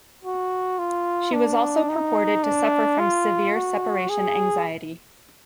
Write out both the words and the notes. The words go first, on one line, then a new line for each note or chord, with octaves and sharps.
She was also purported to suffer from severe separation anxiety.
F#4
F4
D4
D#4
D4
F4
F#4
G#4